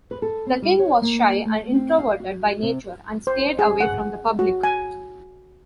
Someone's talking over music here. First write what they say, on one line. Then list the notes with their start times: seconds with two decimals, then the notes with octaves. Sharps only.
The king was shy and introverted by nature, and stayed away from the public.
0.11 B4
0.22 A4
0.46 C4
0.62 G3
0.79 C#5
1.02 A#3
1.45 A3
1.74 C4
1.98 F5
2.20 F#4
2.63 C3
3.27 C5
3.59 G#4
3.80 F#5
4.39 F#4
4.63 G#5